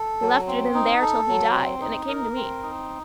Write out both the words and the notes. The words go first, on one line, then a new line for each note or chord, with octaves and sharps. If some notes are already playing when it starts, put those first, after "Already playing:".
He left it in there till he died, and it came to me.
Already playing: A4
F#3
C4
D#4
A4
F#3
C4
D#4
A#4
C4
D#4